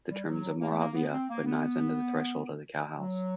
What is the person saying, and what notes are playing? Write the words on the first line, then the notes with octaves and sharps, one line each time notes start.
The Germans of Moravia put knives under the threshold of the cowhouse.
G3
F#3
A#3
A3
A#3
B3
C4
A#3
B3
F#3